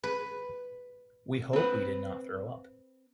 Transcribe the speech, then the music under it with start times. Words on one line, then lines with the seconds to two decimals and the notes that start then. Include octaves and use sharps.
We hope we did not throw up.
0.04 B4
1.53 C4 B4